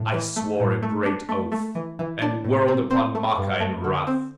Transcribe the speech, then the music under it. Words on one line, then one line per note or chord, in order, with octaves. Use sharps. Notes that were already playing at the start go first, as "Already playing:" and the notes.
I swore a great oath and whirled upon Maka in wrath.
Already playing: A2
E3
A3
A2
A3
D4
A3
A3
E3
E3
D4
A2
C4
C4
A3
G2
A3
D3
C4